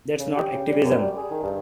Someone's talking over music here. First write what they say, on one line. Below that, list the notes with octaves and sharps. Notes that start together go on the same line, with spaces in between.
That's not activism.
C#3
G4
C#3
G3
F#2
G3
G#4
D#3
G2